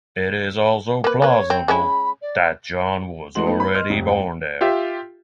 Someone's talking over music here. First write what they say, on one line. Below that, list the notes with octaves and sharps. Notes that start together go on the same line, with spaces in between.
It is also plausible that John was already born there.
A#3 B4
A#3 B4 C#5
C4
G#3 C#4 E4 B5
D5
E3 G#3 A3 F#4 C6 F#7
A3 B3 D#4
B4 B5
D#5 C6 F6
F1 F2
G5
F4 G4 E5